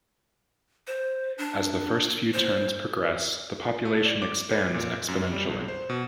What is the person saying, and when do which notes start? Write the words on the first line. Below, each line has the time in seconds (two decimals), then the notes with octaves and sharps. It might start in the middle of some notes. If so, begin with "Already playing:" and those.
As the first few turns progress, the population expands exponentially.
0.87 C5
1.38 D4
2.34 C5
3.85 A3
4.06 D5
4.22 D6
4.53 B4
4.74 A#2
5.08 F#2
5.32 G3
5.49 B1
5.68 C5
5.89 B2